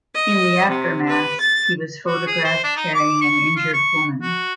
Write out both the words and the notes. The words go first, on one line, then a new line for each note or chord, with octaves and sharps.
In the aftermath, he was photographed carrying an injured woman.
D#5
C3
B4
A6
F#4
G#4
C5
D4
D#4
D6
C#6
F4
C#6
F#4